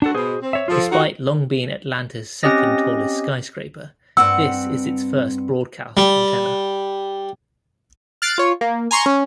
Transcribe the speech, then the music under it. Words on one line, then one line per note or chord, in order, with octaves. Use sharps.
Despite long being Atlanta's second-tallest skyscraper, this is its first broadcast antenna.
D2 D4 F#4 A4
B2 G#4 C5
C4
C#5 E5
F3 F4 A4
D#4 F#4
C4 C#4 G4 D#5 D#6 A#6
G2 C4 F#5 E6
G3
F6 F#6 A6 C7 D7
F4 C#5
A#3
G#5 A#5 C6 C#6
C#4